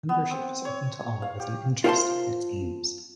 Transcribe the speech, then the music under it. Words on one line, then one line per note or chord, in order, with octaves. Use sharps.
Membership is open to all with an interest in its aims.
B3
C4
C#5
F5
G4
F4 A#4 C5 F#5 A5 C6